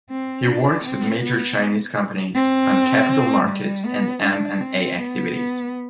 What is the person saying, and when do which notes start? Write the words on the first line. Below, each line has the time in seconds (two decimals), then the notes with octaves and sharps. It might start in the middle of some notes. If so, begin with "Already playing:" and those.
He works with major Chinese companies on capital markets and M and A activities.
0.10 C4
0.47 D4
0.85 C4
1.23 B3
2.35 C4
3.49 G3
3.85 B3
4.23 D4
4.61 C4
4.98 B3
5.36 B3